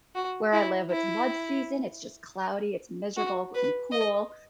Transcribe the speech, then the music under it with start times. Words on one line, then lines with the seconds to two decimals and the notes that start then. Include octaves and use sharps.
where I live, it's mud season, it's, just, cloudy, it's miserable but m cool
0.15 F#4
0.53 E4
0.91 E4
3.17 F#4
3.55 B4
3.92 D#5